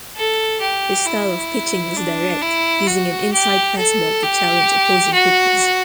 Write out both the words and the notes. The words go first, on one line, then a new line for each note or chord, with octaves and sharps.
His style of pitching was direct; using an inside fastball to challenge opposing hitters.
A4
G4
E4
D4
E4
F#4
G4
A4
G4
F#4